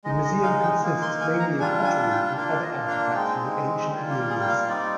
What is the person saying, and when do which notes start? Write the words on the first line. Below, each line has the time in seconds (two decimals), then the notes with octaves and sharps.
The museum consists mainly of pottery and other artefacts from the Ancient Near East.
0.04 G#3 D#5
0.08 D#4
0.24 D#5
0.43 F5
0.63 G5
0.82 A#3 D#4
1.02 C6
1.21 G#5
1.40 A#5
1.59 G3 D4 F4 G#5
1.84 G#5
2.11 G5
2.36 A#3 D4 F4 F5
2.62 D#5
2.88 F5
3.14 G#3 C4 D#4 G5
3.91 G3 A#3 F4
4.10 G4
4.30 G#4
4.41 G5
4.49 F5
4.69 G3 C4 D#4 D5